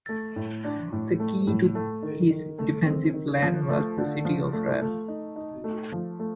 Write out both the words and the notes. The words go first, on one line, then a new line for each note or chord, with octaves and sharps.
The key to his defensive plan was the city of Raab.
A3
A2
D4
A2
A3
A2
A3
D#3
D#3
A3
C4
D#3
F3
A3
D3
F3
A3
A3
D#4
D#4
A3
F3
A3